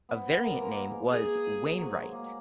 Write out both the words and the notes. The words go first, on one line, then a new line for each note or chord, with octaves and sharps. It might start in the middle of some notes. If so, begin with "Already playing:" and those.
A variant name was "Wainwright".
B3
B3 A#4
A#3
G#3
A#3
G#4
F#3
G#3
A#3